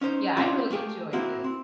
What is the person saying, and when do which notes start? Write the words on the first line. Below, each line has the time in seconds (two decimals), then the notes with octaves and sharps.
yeah, I really enjoyed this.
0.01 C#4 D#4 C5
0.37 C4 C#4 E4 F4 G4 D5
0.71 A3 A#3 G4 G#4
1.13 A#3 C4 E4 F#4
1.44 C4